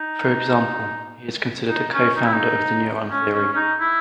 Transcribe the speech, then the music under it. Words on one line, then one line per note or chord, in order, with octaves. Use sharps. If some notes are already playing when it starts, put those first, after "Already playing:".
For example, he is considered a co-founder of the neuron theory.
Already playing: D#4
D#4
C#4
D#4
E4
D#4
C#4
C#4
C#4
D#4
E4